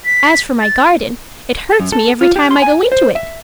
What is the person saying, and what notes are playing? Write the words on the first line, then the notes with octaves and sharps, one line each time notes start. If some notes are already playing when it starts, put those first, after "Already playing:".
As for my garden, it hurts me every time I go into it.
B6
A6
F#2
A4
F4
G4
C6
G#5
C5
E5